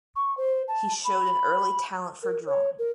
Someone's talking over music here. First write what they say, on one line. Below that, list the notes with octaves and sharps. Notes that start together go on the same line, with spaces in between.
He showed an early talent for drawing.
C#6
C5
A5
B5
A#4
C#5
A#4